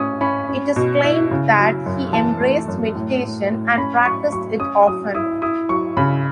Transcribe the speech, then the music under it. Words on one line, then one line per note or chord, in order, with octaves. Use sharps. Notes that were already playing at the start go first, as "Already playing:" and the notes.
It is claimed that he embraced meditation and practiced it often.
Already playing: A2 C#4 D#6
C#4 B5
C#4
B2
E4
C#3
F#3
F#2
E3 A5
A3
F#2
A2
A2
A2
C#4 B5
F#3 C#6
F#3 C#6
C#4 D#6
F#3 D#6
E4 D#6
E4 D#6
F#3 C#6
C#3 B5